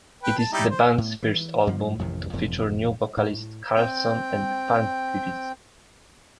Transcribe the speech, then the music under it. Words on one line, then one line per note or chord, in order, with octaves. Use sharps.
It is the band's first album to feature new vocalists Karlsson and Palmqvist.
B4 G5
A5
G3 D#4 E4
C5
A2
E3
G2 F3
A1 F2 C3 D#3
E1 F2 G#2
A2
C4 G5